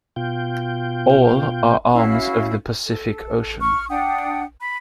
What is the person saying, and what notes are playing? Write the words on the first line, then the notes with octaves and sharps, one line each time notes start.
All are arms of the Pacific Ocean.
B2 F4 G5
C#4 E4 F#4 F5
A4
C#6 F6
D4 F#5 G5 D#6
B5